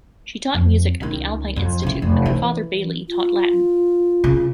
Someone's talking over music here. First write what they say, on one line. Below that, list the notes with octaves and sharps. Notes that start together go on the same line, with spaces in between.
She taught music at the Alpine Institute, and her father, Bailey, taught Latin.
F2
C#2 D#3
F2
C#3 E4
F1
E3
F4
C#3